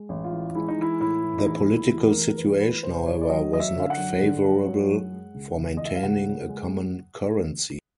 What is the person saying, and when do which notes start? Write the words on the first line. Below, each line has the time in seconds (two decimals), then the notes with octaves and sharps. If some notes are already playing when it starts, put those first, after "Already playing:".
The political situation, however, was not favorable for maintaining a common currency.
Already playing: G#3
0.09 A1
0.24 F4
0.32 E3
0.55 G#3 E4
0.68 D#4
0.78 E3 E4
1.00 A2 E4
1.23 E3
1.39 D#4
1.46 E2 E4
1.69 E2
1.76 E4
1.92 E2
2.07 A#4
2.15 E2
2.37 E2 B4
2.60 E3 B4
2.83 C3 C5
3.06 E3 C#5
3.21 D5
3.29 F#3 D#5
3.52 F#3 D#5
3.60 E5
3.75 D3 F5
3.90 F#5
3.97 F#2
4.20 D3
4.43 F#2
4.66 F#3
4.88 F#2
5.12 G#3
5.34 C#2
5.57 C#2
5.77 E3 D#5
5.85 E5
5.95 F5
6.03 C#2 F#5
6.26 C#3
6.49 G#3